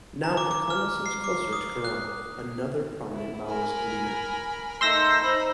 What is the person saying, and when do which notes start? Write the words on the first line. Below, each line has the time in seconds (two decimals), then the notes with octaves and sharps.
Now Prachanda seems closer to Kiran, another prominent Maoist leader.
0.24 A#5
0.37 D6
0.51 D6
0.70 F6
1.06 C7
1.24 D6
1.53 D#6
1.85 F#6
3.13 E4
3.47 A#4 G#5 B5
4.81 A3 D#4 C6 E6 G6 A#6
5.22 D#4 C5 B5